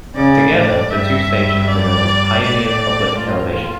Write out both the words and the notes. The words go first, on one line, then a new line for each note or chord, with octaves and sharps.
Together, the two stations are known as Pioneer Public Television.
C#3 D5
A2
G2 E5
G2
D5
A2 D5
A2 F4